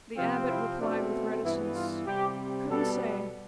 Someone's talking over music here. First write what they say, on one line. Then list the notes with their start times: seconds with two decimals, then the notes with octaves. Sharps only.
The Abbot replied with reticence, couldn't say.
0.16 C3 F3 C4 F4
0.48 E4
0.79 B2 A3 C4 D4
1.43 G2 E3 B3 E4
1.75 F4
2.06 C3 G3 C4 G4
2.70 B2 G3 B3 A4